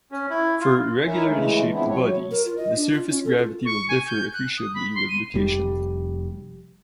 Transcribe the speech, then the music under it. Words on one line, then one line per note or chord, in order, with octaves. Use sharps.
For irregularly shaped bodies, the surface gravity will differ appreciably with location.
C#4
E4
F4
D#4 E4 A#4 C#5 E5 G#5
C#3 E3 G#3 A3
E3 F3 B3 C4 D4 E4
F#3 C#5
A#4
F4
D#5
D4
F4
C#4
A4
F4
C#6
G#5
G6
F#6
D#6
B5
C6
D#7
F1 G3